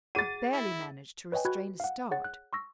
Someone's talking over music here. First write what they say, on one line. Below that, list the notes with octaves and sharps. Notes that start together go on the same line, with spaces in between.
He barely managed to restrain a start.
G#4 F#5 A6 D#7
E4
B4 C#5 D#5 G5 G#5
F#4 B5 F#6 G#6
F5 F#5
G#4 C#5 F#5 A6
F#6
C6 C#6 E6 A#6